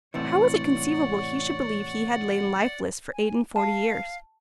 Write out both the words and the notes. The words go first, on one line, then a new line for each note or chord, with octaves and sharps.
How was it conceivable he should believe he had lain lifeless for eight-and-forty years?
A2 C3 E3 C#5 D5 F#5
G#5
F5 A5